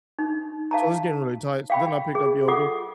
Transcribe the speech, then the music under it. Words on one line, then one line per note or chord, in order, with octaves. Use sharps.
So, it's getting really tight so, then I picked up yoga
D#4
F5 A5 A#5
F5 G5 B5
G#4
F4 A4 F#5 D6